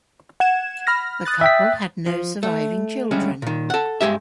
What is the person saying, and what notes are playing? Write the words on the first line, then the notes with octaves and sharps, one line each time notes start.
The couple had no surviving children.
F#5 G#6 E7
B5 F6 A#6
D#6 F#6 A6
E5 G5 B6
F3
A3
D2 G3 G#3 C#4
A#2 D#3
A4 F#5
G2 G#3 G4 E5